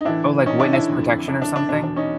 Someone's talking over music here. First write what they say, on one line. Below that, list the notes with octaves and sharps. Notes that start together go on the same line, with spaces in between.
Oh, like witness protection or something?
D#4
A2 E3 D4 E4
C#4 D#4
D4 E4
D4 E4
F2 D3
D4
D4
D4
E2 B2 D4
D4
C#4 D#4